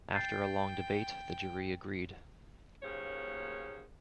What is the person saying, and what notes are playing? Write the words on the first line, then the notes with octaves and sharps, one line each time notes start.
After a long debate, the jury agreed.
G5 G6 A6 C7
D#2 A#2 C#3 F#3 C5 C#5